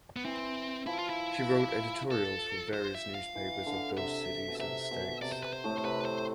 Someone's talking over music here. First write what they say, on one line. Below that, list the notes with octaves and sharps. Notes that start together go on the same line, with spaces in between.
She wrote editorials for various newspapers of those cities and states.
B3
E3 C4
F3 E4
F4
E4
A4
C5
E5
F5
E3
D3
C3 E5
B2
C3 E5
B2
C3 D5
C5
B4
C5
A2 A3
C5
C3 C4 B4
C5